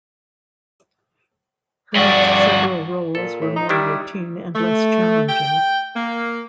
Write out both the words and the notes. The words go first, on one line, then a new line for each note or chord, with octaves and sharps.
Her next several roles were more routine and less challenging.
G2 F#4 D5
A#2 A4
A2
D#4
D#3 G3 D4 E4
A3
G5
A#3